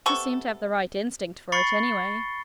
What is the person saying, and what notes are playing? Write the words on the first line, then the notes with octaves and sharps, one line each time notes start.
"You seem to have the right instinct for it, anyway."
C3 B3 A4 C#6
B5 C#6 A6 C7 C#7 G7